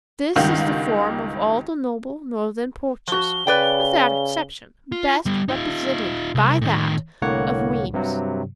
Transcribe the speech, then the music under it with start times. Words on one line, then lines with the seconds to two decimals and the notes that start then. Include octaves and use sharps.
This is the form of all the noble northern porches, without exception, best represented by that of Rheims.
0.36 C#2 G2 D#3 F5 F#5 G6
3.08 F3 F#4 G7
3.47 C#3 B4 D5 G5
4.92 F4
5.26 G3 B3
5.48 D#4 F4
6.35 C2
6.62 A2 D#3
7.22 C2 A2 D3 A#3 C#5 F#5
7.93 G2 C3 F#3